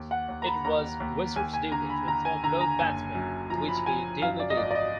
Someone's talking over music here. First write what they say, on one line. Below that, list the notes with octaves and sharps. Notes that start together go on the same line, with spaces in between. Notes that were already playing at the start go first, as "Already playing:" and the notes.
It was Weser's duty to inform both batsmen which he duly did.
Already playing: D#2
F#5
D#2
A#5
B5
D#2 A#5
D#2
D#2 G#5
G#5
D3 A#5
B5
D3 A#5
G#5
D3 A#5
A#5
F#1 G#5
F#2
F3 A#5
B5
F3 G#5
F#2 F5
D5
D#5
G#1 D5
D5
D#5